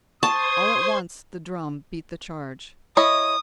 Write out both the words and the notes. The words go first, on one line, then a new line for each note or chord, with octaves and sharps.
All at once, the drum beat the charge.
C5 A5 C6 C#6 D#6 G#6
E4 C#5 D#5 D#6